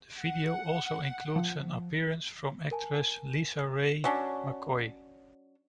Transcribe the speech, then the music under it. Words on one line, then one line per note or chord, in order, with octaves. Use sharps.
The video also includes an appearance from actress LisaRaye McCoy.
F#5
F3
A#4 G#5 A5
F#3 C#4 D4